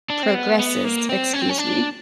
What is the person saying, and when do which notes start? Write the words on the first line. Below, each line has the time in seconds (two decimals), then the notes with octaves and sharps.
progresses, excuse me.
0.10 D4
0.23 C4
0.35 B3
0.59 B3
0.84 A#3
1.09 C4
1.34 C#4
1.42 C4
1.49 C#4
1.58 D4